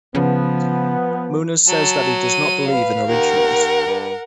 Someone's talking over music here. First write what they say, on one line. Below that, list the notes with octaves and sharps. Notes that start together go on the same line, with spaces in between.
Muniz says that he does not believe in originals.
C#3 F3 B3
F#3 A5
D#7
B4 F5
D#2 A#4 F#5
G2